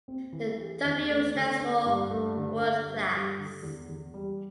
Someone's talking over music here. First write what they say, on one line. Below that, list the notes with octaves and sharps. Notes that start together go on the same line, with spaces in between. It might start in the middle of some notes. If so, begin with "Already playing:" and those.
The 'W' stands for 'World Class.
C4
E3
G4
E2
A3
D3
D4
G2
A3
D3
D4
G2
G3
D3
E2
E2
G3